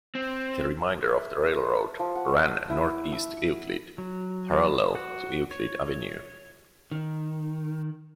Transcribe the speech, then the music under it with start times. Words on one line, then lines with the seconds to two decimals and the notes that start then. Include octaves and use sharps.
The remainder of the railroad ran north-east to Euclid, parallel to Euclid Avenue.
0.15 C4
1.08 E5
1.75 A5
1.99 F3
2.15 F#5
2.70 E4
3.13 E6
3.98 F#3
4.95 F#4
5.51 C#5
6.91 D#3